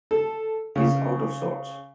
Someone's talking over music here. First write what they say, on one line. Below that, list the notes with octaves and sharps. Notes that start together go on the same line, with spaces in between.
He's out of sorts.
A4
C#3